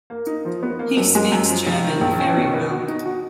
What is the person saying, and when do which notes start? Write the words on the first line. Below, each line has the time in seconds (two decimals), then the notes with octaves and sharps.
He speaks German very well.
0.10 A#3
0.27 D#4
0.45 F3
0.63 B3
0.79 A#3
0.97 F#2
1.15 G#3
1.32 F#2
1.49 F3
1.67 F1
1.84 D#3
2.01 A#1
2.19 C#4
2.37 B2
2.54 B3
2.71 F#4
2.88 D#4
3.06 F#4